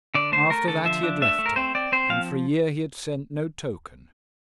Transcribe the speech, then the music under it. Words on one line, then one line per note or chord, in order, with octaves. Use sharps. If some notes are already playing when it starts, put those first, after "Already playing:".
After that he had left her, and for a year had sent no token.
D3 D5
A3 C5
A3 A#4
D3 A4
F3 E5
D4
A3 E5
A3
A#4
C4 C5
C4 D5
C4 C5
F3 F5